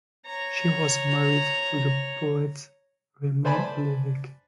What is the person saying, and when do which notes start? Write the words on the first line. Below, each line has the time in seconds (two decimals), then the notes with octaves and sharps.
She was married to the poet Raymond Lévesque.
0.26 C#5 A#5
3.45 B4 C5 D5 G#5 A5 B5